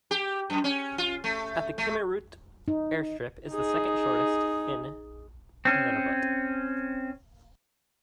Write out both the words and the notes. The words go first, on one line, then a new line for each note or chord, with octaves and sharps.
At the Kimmirut airstrip is the second shortest in Nunavut.
G4
F#2
C#4
F4
A3
A3
D#4
D#4 G#4
C4 C#4